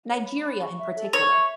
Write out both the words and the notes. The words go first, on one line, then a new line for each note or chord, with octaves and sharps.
Nigeria in particular.
C#5
B5
B5
C#6
E5
A4
C#5 C#6
E5